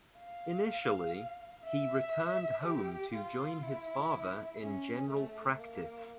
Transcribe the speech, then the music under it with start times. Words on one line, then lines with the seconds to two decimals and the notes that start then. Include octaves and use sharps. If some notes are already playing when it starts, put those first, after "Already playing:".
Initially, he returned home to join his father in general practice.
0.18 F5
1.65 E5
2.65 G4
3.14 F4
3.63 E4
4.61 C#4
5.10 A3
5.59 A#3